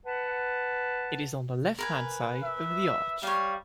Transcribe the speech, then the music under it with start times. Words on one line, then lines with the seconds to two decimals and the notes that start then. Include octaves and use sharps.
It is on the left-hand side of the arch.
0.06 B4 F#5 A5
1.79 A#4 B4 G#5
2.43 E5
3.23 G3 C#5 F5